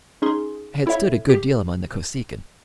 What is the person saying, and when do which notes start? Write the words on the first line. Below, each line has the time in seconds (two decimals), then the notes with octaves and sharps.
I had stood a good deal among the Kosekin.
0.22 C#4 D#4 G#4 C6
0.86 C4 E4 A4 C#5 E5
1.29 G4